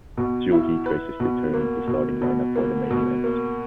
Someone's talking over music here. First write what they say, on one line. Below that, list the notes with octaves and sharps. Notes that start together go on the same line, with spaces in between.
Two heat races determined the starting lineup for the main event.
B2
E4
B4
B2
A#3
B2
B2
A#3
B2
A#3